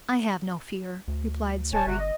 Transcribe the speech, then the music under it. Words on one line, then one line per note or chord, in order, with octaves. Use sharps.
"I have no fear," replied Surrey.
D2
D#1 C#5 G#5 A5
G1 C3 F#4
D#5